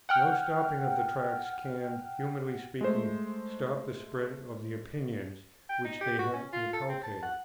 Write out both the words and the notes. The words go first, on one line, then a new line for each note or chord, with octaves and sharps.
No stopping of the Tracts can, humanly speaking, stop the spread of the opinions which they have inculcated.
F#5 G5 F6
G#3 A3 C5
G5
D#4
G4
F#4
C#4
F4
A4
C4
A5
F#5